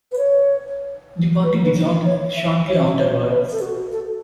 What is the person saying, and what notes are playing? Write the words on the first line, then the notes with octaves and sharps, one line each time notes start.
The party dissolved shortly afterwards.
B4
C#5
B4
B4
C#5
E5
C#5
E5
C#5
B4
A4
F#4
A4